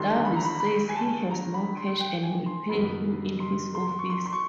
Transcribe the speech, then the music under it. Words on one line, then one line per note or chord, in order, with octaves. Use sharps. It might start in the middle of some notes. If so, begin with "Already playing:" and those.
Davis says he has no cash and will pay him in his office.
Already playing: G1 G2 D#3 G3 C6
B5
A#5
B5
B5
G#5
A5
A#5
B5
C6
G5
G#5
C6
F#1 F#2 D#3 F#3 B3 B5
C6
C6
C#6
C6
C6
C#6